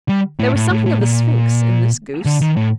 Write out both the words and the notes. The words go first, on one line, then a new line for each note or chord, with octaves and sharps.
There was something of the Sphinx in this goose.
G3
A2
A2
A2
A2
A#2
D3
D#3
A2